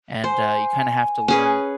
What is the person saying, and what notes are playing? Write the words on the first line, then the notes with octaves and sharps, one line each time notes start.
and, uh, you kinda have to learn
C5 G#5
C#4 G#4 B4